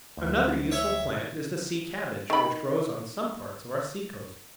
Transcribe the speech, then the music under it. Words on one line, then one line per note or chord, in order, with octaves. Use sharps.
Another useful plant is the Sea Cabbage, which grows on some parts of our sea coast.
D2
C#5 E5 C#6
D#3 B5